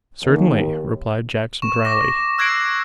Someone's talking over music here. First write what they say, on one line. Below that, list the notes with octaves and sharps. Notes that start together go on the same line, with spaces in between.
'Certainly,' replied Jackson drily.
D#2
C#6 E7
D6 A#6
E6 F#6 G#6 A#6 C7 D7